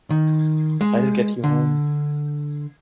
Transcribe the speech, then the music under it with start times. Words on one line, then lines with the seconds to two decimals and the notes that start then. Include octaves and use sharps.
I'll get you home.
0.10 D#3
0.81 G#3
1.44 D3